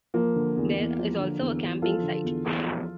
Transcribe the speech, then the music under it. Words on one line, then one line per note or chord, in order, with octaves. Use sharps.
There is also a camping site.
F3 A#3
D3
E2
E2
F3
D3
E2
E2
F3 F4 A4
D3
E2
E2
F3